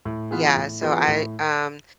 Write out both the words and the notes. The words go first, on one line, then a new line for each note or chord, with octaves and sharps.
yeah, so I, um,
A2
E3 B3 F4 G#4
A2
E3 B3 F4 G#4
A2